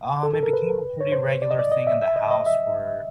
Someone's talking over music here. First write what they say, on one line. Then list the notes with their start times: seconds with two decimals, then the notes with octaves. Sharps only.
um, it became a pretty regular thing in the house where
0.23 A4
0.33 A4
0.43 A#4
0.53 B4
1.01 C#5
1.12 C5
1.42 D5
1.51 D#5
1.59 D5
1.72 D#5
1.87 E5
2.02 E5
2.16 D#5
2.31 D#5
2.46 E5